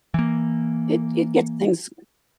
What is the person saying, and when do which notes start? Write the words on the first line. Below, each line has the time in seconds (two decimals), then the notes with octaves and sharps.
it it gets things
0.14 E3 A#3